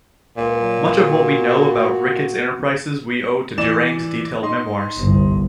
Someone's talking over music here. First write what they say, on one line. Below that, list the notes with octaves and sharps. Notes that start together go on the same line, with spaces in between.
Much of what we know about Ricketts's enterprises we owe to Durang's detailed memoirs.
C#2 A#2
F#3
F#4
E3 D5 E7
D#4 C6
G1 C2